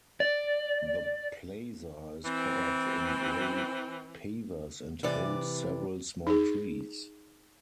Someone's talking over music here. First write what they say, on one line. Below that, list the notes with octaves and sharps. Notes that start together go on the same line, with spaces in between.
The plaza is covered in gray pavers and holds several small trees.
D5
E3 C4
C3 E3 D5
D#4 G#4